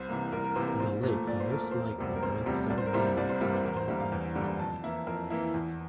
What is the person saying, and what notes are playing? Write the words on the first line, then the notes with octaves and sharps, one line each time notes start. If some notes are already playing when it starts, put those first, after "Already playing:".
The lake most likely was so named on account of its outline.
Already playing: C2 C5
C3 E3 A#3
C2 A#4
A#4
C3 E3 A#3 C5
A#4
A#1 C5
A#2 A3
A#1 D5
C5
A#2 A3 A#4
A#4
E1 C5
A#4
D2 C3 G3 C4
A#4
E1 C5
D2 C3 G3 C4
C2 D5
C5
A#4
C3 G3 A#3 E4 C5
C2 D5
C5
C3 G3 A#3 E4 A#4
C5
E2 A#4
C5
D3 G3 A#3 E5
F5
E2
D3 G3 A#3
F2 A5
E3 A#3 E4
F2 A#4
E3 A#3 E4
E2